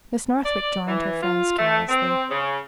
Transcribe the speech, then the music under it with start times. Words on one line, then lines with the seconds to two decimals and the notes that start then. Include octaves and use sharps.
Miss Northwick joined her friends carelessly.
0.45 D5
0.87 E3
1.23 F4
1.58 A3
1.89 C4
2.30 C#3